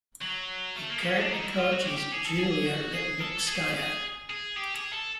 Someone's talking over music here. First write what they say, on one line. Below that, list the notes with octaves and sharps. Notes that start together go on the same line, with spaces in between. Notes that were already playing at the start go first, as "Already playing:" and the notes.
He currently coaches Julia Lipnitskaya.
F#3
A3
A#3
C#4
D4
D#4
E4
F4
F#4
G4
G4
G#4
A4
G#4
F#4
G#4
A4
G#4
G#4
G#4
G4
G#4
A4